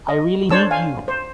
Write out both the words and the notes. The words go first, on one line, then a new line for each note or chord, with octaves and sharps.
I really need you.
D#5
D4 C5 C#5 A5 E6
F5 G#5
C5